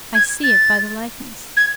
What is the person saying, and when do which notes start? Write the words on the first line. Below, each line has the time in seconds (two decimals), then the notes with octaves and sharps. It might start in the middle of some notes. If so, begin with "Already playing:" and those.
I see it by the likeness.
0.15 G#6
0.44 A6
1.57 G#6